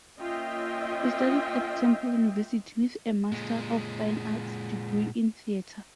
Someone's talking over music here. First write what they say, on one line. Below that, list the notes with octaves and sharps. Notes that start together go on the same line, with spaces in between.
He studied at Temple University with a Master of Fine Arts degree in theatre.
A#3 C#4 F4 D#5 E5 G5
A#2 G#3